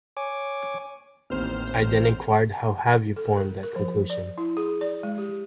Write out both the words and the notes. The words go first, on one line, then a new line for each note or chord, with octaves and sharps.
I then enquired how have you formed that conclusion.
C#5 G#5 D6
A1 D#2 C4 C5 F6
A4
A#4
A#4
F3
D5
E4
G#4
D5
G#3
G4